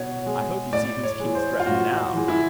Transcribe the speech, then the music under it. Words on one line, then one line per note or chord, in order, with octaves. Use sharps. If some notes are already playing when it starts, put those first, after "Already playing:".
"I hope you see whose king's threatened, now."
Already playing: B2 C#5
G#3
A2 D5
C#5
E3 G#3
C5
F4
A2 F#4
F4
E3 G#3
E4